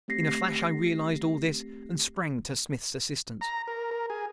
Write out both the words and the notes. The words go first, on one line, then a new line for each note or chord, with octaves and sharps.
In a flash I realized all this and sprang to Smith's assistance.
A3 C4 G4 A#6 C7
A#5
A#4
A#4
G#4